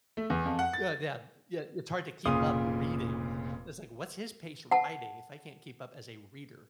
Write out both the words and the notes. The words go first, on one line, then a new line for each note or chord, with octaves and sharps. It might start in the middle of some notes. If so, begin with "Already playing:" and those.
Uh, Yeah, yeah, it's hard to keep up reading, it's like, what's his pace writing, if I can't keep up as a reader?
A3
E2
F2
F#5
A6
F1 A#2 C#3 F5 D#6
F#5 A5